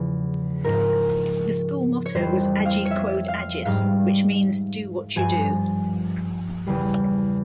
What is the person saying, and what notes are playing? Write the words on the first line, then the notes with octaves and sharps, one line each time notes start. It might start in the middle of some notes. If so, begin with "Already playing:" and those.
The school motto was "Age Quod Agis", which means "do what you do".
Already playing: E2 C#3 F3
G#2 F3 A#4
C#5
F2 E3 G3 C5
F5
C#5
E5
F5
G#2 G3 F5
G2 F3 G#5
E2 C#3 G3